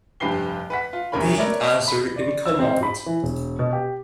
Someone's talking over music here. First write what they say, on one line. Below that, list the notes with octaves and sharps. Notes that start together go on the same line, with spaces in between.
B. Azer in command.
F1 G2 G4 B4 C7 G7
B4 F#5 B6
F4
E1 D2 C3 A#4 C#5 B5
A#4 B4 C#5 D5 E5
B5
D5
E6
C4
B5
E3
E1
B2
G4